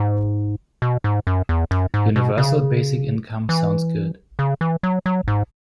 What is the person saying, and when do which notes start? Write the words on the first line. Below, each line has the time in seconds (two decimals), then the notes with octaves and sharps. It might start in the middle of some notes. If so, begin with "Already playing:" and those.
Universal basic income sounds good.
Already playing: G#2
0.82 B2
1.04 G#2
1.27 F#2
1.49 E2
1.71 F#2
1.94 G#2
2.16 B2
2.38 C#3
3.49 E3
4.39 C#3
4.61 E3
4.83 F#3
5.06 F#3
5.28 G#2